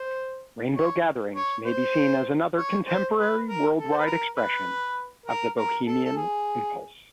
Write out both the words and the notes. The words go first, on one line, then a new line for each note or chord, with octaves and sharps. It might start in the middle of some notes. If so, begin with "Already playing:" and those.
Rainbow Gatherings may be seen as another contemporary worldwide expression of the bohemian impulse.
Already playing: C5
C#5
C#5
C5
C#5
C5
B4
A#4
A4
C5
B4
A#4
B4
A#4
A#4
A4
A4
G#4